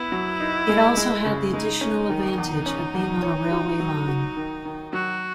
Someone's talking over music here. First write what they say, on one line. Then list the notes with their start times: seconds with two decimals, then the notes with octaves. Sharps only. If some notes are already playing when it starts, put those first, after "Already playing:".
It also had the additional advantage of being on a railway line.
Already playing: B3 E4
0.12 F#3
0.40 D#4
0.69 G#3
0.97 G#3
1.25 C#3
1.53 G#3 D#4
1.81 C#4
2.10 D#3
2.38 E2
2.66 C#4
2.94 E2
3.23 C#5
3.51 F#4
3.80 F#3
4.08 F#4
4.37 D#3
4.65 D#3
4.93 F#3 F#4